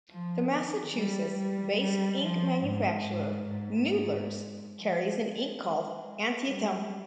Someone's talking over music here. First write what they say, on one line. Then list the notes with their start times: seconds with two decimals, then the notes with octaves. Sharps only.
The Massachusetts based ink manufacturer Noodler's carries an ink called Antietam.
0.10 F3
0.53 D#3
0.95 G3
1.38 G3
1.80 G3
2.22 F3
2.64 G#2
3.06 G#2
3.48 G#2
4.75 F3
5.18 G#3
5.60 G#3
6.45 G3